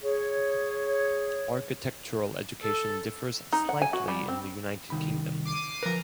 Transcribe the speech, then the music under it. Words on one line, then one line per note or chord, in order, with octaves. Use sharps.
Architectural education differs slightly in the United Kingdom.
G#4 C#5
A4
D#4
F#5
G#5
F#4
G3
C4
C2 D#3 B5
D6 C7 D#7
F3 A#4 B4 A#5